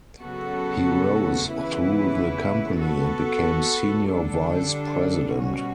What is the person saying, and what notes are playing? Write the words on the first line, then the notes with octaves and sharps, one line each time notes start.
He rose through the company and became senior vice-president.
C#3 F#3 B3 F#4 A4
C#3 E3 B3 E4 B4
B3 F#4 A4
D3 G3 D4 A4
B2 G3 C#4 F#4